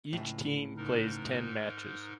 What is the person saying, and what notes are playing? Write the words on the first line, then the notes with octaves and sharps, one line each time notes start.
Each team plays ten matches.
C#2 A2
G#2 D#4 A#4